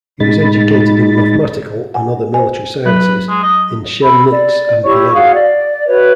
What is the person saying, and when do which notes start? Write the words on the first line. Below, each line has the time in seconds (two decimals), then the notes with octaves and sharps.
He was educated in mathematical and other military sciences in Schemnitz and Vienna.
0.20 A2 G#3 D#4 B5 A6
1.94 F#5 G#5
2.34 C5 G#5
2.86 F#3 B4
3.29 G#3
3.43 D#5
4.02 B5 E6
4.31 D5
4.84 E4 G4 C#5 C#6
5.13 F#4 G#4 F5 F#5
5.34 D5
5.87 F#4 B4 C#5 E5